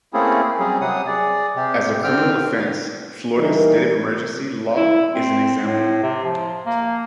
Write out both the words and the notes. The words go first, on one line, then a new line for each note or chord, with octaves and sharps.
As a criminal offense, Florida's "state of emergency" law is an example.
A3 A#3 C4 C#4 E4 G#4
F#3 G3 C4 C#4 G#4
C3 F#3 F#5 D#6
G#4 D5
C3 G4
D3 C4 G5 F6
E3 G3 D#4 A#4
E4
C4
A2
C3
F3
A#3